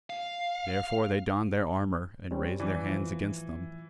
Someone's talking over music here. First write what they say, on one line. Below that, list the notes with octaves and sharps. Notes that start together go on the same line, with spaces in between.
Therefore they donned their armour and raised their hands against them.
F5
G3 C4 C#4
E3 D5
F#2 A2 F3